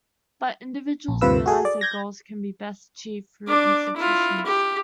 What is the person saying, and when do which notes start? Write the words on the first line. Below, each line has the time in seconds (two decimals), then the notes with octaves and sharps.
But, individuals realize their goals can be best achieved through institutions.
1.08 A#1
1.21 D2 G2 C3 F4 B4 E6
1.46 F#4 G#4 A4
1.65 D5
1.81 G6 G#6 A#6
3.47 D4 D6
3.96 E4 F4
4.45 G4